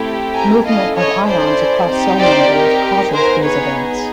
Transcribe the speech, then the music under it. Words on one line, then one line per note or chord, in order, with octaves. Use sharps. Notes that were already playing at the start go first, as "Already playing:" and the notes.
Movement of ions across cell membranes causes these events.
Already playing: A3 C4 E4 G4
G#5 A#5
C#4 E4 A4 D#5 F5
C#5 D#5
C5 D5
C4 D#4 G4
C5 D5
A#4
B3 D#4 G#4 A#4 C5
B4 C#5